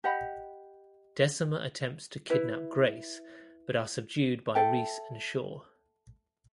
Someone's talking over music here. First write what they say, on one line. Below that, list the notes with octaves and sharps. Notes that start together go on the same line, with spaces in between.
Decima attempts to kidnap Grace but are subdued by Reese and Shaw.
G4 D#5 F#5 B5
E4 B4 E5
A4 E5 G5